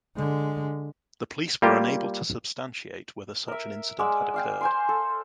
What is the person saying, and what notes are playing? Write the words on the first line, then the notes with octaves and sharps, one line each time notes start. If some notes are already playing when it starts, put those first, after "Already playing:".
The police were unable to substantiate whether such an incident had occurred.
D3 G#3
G3 A#3 F4 G4
A#4 E5
G#3 D5 F#5 E6
D5 F5 G5
C5 G#5 C6
A4